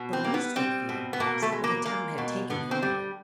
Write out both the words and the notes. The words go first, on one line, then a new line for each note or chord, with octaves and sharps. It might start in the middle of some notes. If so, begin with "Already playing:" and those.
The least they feared was, that the town had taken fire.
Already playing: B2
C4
G3 A#3
B3
G3 C4
B2
B3
B2 A#3
A3
G#3
A#3
G#3 A#3
B2
D3 B3
C4
G3